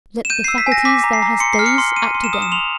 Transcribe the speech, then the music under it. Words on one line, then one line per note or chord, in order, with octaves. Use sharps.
Let the faculties thou hast dazed, act again.
E7
G6 D#7
E6 C7
B6
G#5
A#6
D6 B6
A#5
C7
A#5
C6 C#7
C7
F6
C#7
C6
C6 D#7
C6
E7
D#6
E7
C6 F7